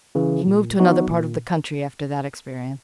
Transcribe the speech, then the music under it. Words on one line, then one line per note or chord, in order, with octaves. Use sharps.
He moved to another part of the country after that experience.
C#3 E3
A#2
F#3 B3 D#4 F#4
A#2